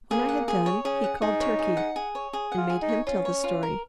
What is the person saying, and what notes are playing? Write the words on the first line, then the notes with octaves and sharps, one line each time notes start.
When I had done, he called Turkey, and made him tell the story.
A#3 G#4
F#5
G#4
C#5
C#4 G#4
F#5
D#4 G#4
C#5
G#4
F#5
G#4
C#5
G#4
F#5
F4
G#4
D#4
C#5
C#4 F4
C#5
F4
A#4